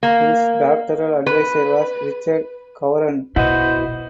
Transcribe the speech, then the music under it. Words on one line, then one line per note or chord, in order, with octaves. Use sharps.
His doctoral advisor was Richard Courant.
A#3
B4
B2 E4 F#4 B4 C5 D#5 F#5